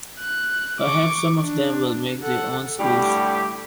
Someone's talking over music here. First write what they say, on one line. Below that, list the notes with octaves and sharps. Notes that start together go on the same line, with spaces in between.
Perhaps some of them will make their own schools.
F#6
C#6 D6
D4
A4 F#5
A2 D3 G3 G4